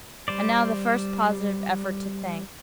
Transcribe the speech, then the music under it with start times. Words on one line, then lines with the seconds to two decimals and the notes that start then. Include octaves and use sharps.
And now the first positive effort to think.
0.28 G3 C5 D5